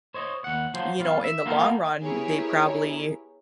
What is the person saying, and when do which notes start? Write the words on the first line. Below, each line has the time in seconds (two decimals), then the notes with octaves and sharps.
you know, in the long run, they probably
0.14 C5 C#5 D#5
0.44 D#2 F#5
0.74 F3 F#3 C5
0.99 B1 G3 F4
1.24 E5
1.46 A#3 B3 F4 G4 A4 A#4
2.02 B3 E4 G4 G#4 A#4 C#5